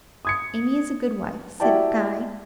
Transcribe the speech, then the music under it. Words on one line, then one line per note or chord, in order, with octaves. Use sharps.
'Amy is a good wife,' said Guy.
D#6 G#6 C#7
E4 F#4 G4 D5 G5 A5